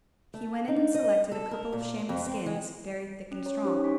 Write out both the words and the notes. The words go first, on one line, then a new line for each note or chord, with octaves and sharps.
He went in and selected a couple of chamois skins, very thick and strong.
A3
D#4
D#5
A4
A#4
A#2
F2
C4
G#3
C#4
C#5 A#5
C4 C#4 D#4 G4 C5 C#5
D#4 G4 G#5 C#6 B6